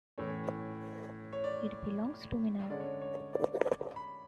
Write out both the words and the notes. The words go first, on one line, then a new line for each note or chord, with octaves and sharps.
It belongs to me now.
A2 E3 A3 C#4 C#5
C#5
D5
D3 G#3 C#4 D5
C#5
C#5
D5
B5